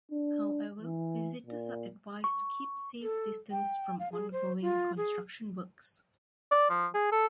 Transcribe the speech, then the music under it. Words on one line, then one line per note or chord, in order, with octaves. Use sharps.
However, visitors are advised to keep safe distance from ongoing construction works.
D4
E3
A#2
C#6
A4
G5
F5
G#4
C5
F4
G#4
D5
F3
G#4
A4